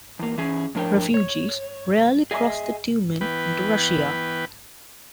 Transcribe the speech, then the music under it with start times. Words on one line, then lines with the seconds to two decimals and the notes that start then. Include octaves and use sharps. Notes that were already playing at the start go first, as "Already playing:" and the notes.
Refugees rarely cross the Tumen into Russia.
0.19 E2 A#3
0.38 E3 C#4 G#4
0.75 A2 F3 D4 A#4 C#5 G5
1.14 C#5
2.31 G#4 D#5 E5 G#5
3.21 E3 B3 B4 G5